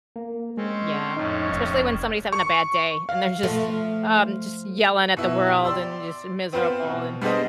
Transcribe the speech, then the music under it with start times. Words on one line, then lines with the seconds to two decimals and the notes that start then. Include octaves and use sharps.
Yeah, especially when somebody's having a bad day, and they're just um, just yelling at the world and just miserable, and,
0.16 A#3
0.57 G#3 C4 C#4
1.16 F2 A2 C#4 D#4
1.53 F1
2.33 C#6
3.09 F5
3.43 F3 A3
5.17 B2 E4
5.47 G4
5.64 D5 C6 E6
6.52 B3 C4 F4 B4 C5
6.84 B2
7.21 G3 B3 D4 G#4 C5 D#5